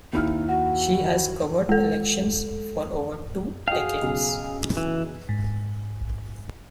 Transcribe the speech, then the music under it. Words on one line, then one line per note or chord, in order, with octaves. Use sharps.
She has covered elections for over two decades.
D#2 D#4 E4 F6
F#4 F#5
G#3 A4
F#4 G#4 D#5 F5 G5
B1 C#3
E3
G#2